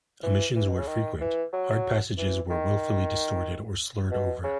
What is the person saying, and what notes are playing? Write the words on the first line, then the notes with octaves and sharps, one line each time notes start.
Omissions were frequent; hard passages were willfully distorted or slurred over.
E3
E3
B2
C#3
D#3
E3
F#3
E3
D#3
B2
C#3